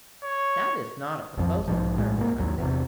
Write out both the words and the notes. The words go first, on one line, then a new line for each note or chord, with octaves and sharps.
"That is not a proposal," Clara reflected.
C#5
G#1 F2 F3
B1 G#2 F3
B1 A2 G#3
C2 G#2 G#3 A#3
G#1 D#2 F#3
E2 C3